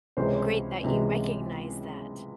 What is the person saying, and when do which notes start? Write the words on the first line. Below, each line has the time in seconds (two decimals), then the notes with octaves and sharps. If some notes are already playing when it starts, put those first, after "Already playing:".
great that you recognize that.
0.17 C#2 C3 E3 G#3 C5
0.27 C#5
0.36 C5
0.83 C#2 C3 E3 G#3